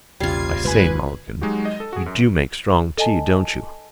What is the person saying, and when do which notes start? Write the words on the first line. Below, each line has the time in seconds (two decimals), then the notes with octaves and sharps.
But, I say, Mulligan, you do make strong tea, don't you?
0.20 E1 A#1 C#3 G3 F4 G#6 C7
0.65 G1 C#2 F#2 B4 G#5
1.41 F#3 G#3 D#4 F#4 G4
1.65 D#5
1.80 A4
1.93 F#4 G#4
2.06 F#2
2.97 A4 D#5 G#5 A5